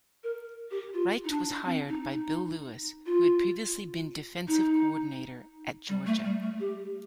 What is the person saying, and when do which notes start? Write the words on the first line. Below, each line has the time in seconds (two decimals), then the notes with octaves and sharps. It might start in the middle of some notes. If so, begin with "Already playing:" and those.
Richt was hired by Bill Lewis, who had previously been defensive coordinator at Georgia.
0.24 A#4
0.71 G4
0.94 F4
1.24 D#4
1.30 D4
1.65 C4
1.89 D#4
2.12 D#4
3.06 F4
4.48 D#4
5.89 G3
6.06 A3
6.24 G3
6.42 A3
6.60 G4